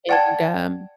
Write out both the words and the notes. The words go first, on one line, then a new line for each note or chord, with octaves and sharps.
and, um
D5 F#5 G5 A5 G#6